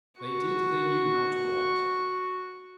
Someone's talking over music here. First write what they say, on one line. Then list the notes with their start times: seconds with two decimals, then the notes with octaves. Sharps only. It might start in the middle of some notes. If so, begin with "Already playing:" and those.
They did they knew not what.
0.19 F#4 C#6